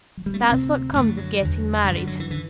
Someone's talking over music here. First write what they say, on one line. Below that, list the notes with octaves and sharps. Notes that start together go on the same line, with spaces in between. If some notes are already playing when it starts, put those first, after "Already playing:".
That's what comes of getting married.
F#3
G3
A3
B3
D2 C3 C4
F#2 D3 A3
F#3
E2 D3
F#2 D3 G3
G3
F#3
E3
D3 E3